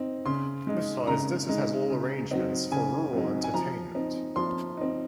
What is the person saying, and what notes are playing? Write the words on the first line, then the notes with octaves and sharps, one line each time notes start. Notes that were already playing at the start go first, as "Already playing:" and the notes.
Besides this, it has all arrangements for rural entertainment.
Already playing: C4 D#4
C#3 C6
G#3 D#4
C#3 A#5
G#3 D#4
C#3
F#3 C4 D#4
C#3 G#5
F#3 C4 D#4
G#5
F3 A#5
C4 D#4
F3 C6
C4 D#4